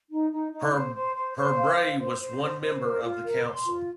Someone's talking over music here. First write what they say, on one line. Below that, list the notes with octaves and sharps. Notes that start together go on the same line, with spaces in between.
Per Brahe was one member of the council.
D#4
D#4
D#4
C5
C5
C5
C5
F5
C5
C5
C5
C5
C5
A#4
F4
A#4
C6
F4